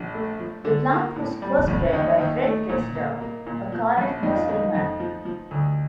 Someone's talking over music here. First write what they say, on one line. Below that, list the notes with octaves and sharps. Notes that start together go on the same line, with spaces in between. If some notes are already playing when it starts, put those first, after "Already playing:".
The plant was first bred by Fred Treseder, a Cardiff nurseryman.
Already playing: A#1 D4
A3
F3
D3
A#3
A2
G3
A1
D#2 D#4
D#2
A3
A#2
A#3
A#3
A#2
F3
A#1
F2 D#4
F4
D#3 D#4
F2
F3
F3
D2